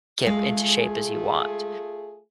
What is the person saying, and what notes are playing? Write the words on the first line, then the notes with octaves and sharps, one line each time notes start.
get into shape as you want.
G#3 A3 F4 G#4 F5